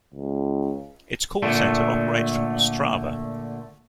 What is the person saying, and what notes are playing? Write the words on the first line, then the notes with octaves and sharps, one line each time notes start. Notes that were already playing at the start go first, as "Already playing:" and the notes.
Its call center operates from Ostrava.
C#2
A#2 D3 A3